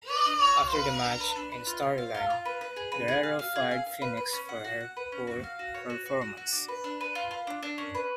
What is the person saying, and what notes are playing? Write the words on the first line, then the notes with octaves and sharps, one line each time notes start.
After the match, in storyline, Guerrero fired Phoenix for her poor performance.
B4
D4
F#4
F5
B4
B4
D4
B4
D4
B4
F4
F4
F5
F4
F4
B4
B4
G#4
B4
G#4
F5
F5
G#4
F5
F5
B4
B4
C#4
F#5
F#4
F#5
B4
C#4
F#4
F5
F#4
C#5
F#4
F#4
F#4
F#4
D4
B4
D4
B4
F4
F4
D4
D4
C#4
B4